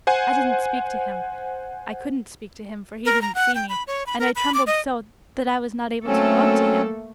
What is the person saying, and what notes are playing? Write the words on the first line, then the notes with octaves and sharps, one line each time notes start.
I didn't speak to him--I couldn't speak to him, for he didn't see me, and I trembled so, that I was not able to go up to him.
C5 F#5 G#5
A#4
A#5
F#5
G5
B5
C#5
B5
A#4
B5
D6
D#5
F#3 A3 A#3 C4 C#4 A4